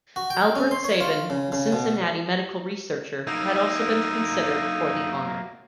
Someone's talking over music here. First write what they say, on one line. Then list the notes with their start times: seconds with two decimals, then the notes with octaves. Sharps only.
Albert Sabin, the Cincinnati medical researcher, had also been considered for the honor.
0.16 F#4
0.30 G5
0.55 C#4
0.71 C6
0.84 C#5
1.01 F4
1.30 C#3
1.52 C#3
1.72 B2
3.27 F#3 A#3 D#4 E5